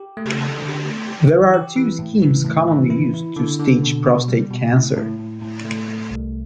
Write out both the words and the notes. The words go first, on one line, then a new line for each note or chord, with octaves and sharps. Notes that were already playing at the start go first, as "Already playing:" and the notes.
There are two schemes commonly used to stage prostate cancer.
Already playing: G4
A3
A4
D3
A3
G4
E3
G4
E3
A2
E3
A2
E3
E4
E4
D3
D3
B2
B2
G3
B2
A2
A2
A2
A2
A3
A3
C2